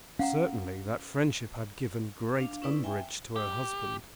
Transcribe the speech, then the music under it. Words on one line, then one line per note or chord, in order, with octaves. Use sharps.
Certainly that friendship had given great umbrage to her husband.
C#4 F5 F#5 A#5
D4 F5
C#4 D#4 E4 B4 D5
E5 G5 G#5
G4